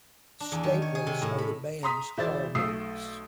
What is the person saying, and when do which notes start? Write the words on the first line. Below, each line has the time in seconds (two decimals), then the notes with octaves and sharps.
Staples are the band's hallmarks.
0.40 D4
0.52 E2
0.63 D#3
0.82 C#5
0.95 G#4
1.07 C3
1.22 A2
1.38 B5
1.83 A#5 C6 D#6 B6
2.18 E1 E4 C5 D5 A6
2.55 B1 A3 D#6 E6 C7